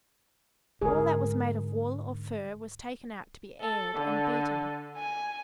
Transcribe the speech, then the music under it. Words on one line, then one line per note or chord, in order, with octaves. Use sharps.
All that was made of wool or fur was taken out to be aired and beaten.
G#2 D3 G#4 A#4
A4
D3
G#5